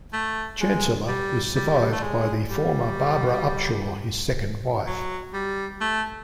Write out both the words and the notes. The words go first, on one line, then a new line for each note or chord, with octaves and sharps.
Chancellor was survived by the former Barbara Upshaw, his second wife.
A3
G#3
G3
G3
A3
G#3
G3
F#3
G3
A3